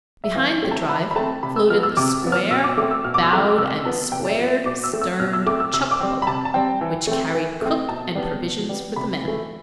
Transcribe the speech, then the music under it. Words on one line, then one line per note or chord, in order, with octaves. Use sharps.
Behind the drive floated the square bowed and square sterned chuck-boat, which carried cook and provisions for the men.
E5
E3 F5
A3 C4
A5
E3 B5
B5
A3 C4 A5
C3 B5
E6
F3 B3 F6
E6
C3 D6
F3 B3
F6
B2 E6
D6
A3 C4 D6
E6
B2 F6
D6
E6
A3 C4
F6
D6
C3 E6
F3 B3 A5
C3 G5
D5
E5
F3 B3
E5
B2 D6
E6
A3 C4
E6
B2 F6
E6
A3 C4 D6
E6
C3 E6
D6
G3 C4
B5
C3 A5
A5
G3 C4 G5
E3
A3 C4
E3
A3 C4
B2 A5
G3 B3
B2
G3 B3
C3 B5
E3 A3